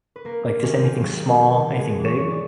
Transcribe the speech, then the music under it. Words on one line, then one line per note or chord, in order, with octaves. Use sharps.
Like, just anything small, anything big?
B4
A#3 A#4
A#3
D#3 G#4
G4
A#3 G#4
F#3 G4
A#3
D#3
D#3
G#3 G#4
E3
C#5
E3 C#5
D5